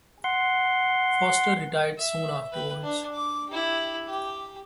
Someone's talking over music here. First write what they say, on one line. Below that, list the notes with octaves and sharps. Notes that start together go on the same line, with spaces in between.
Foster retired soon afterwards.
F#5 C6
E5
B4 G5
D4
D6
E4 G4
G4